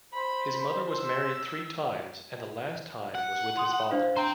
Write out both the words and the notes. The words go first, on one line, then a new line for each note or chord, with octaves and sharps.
His mother was married three times and the last time was with his father.
C5 B5
E6
F#5
C6 D#6
D4 C5 F5
C5 G5 A#5